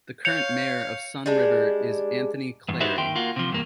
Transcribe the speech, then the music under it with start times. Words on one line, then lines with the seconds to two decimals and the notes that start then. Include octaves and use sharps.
The current Mayor of Sun River is Anthony Clary.
0.25 C#5 F5 G6 C#7 F7
1.26 G3 G#3 D4
2.68 E2 G2
2.81 D#4 F#4 G4 B4 C5 E5
2.97 D#2 D#3 G5 C6
3.15 A#3 F4 F#4
3.36 C3 F3
3.50 E2 G2 A#3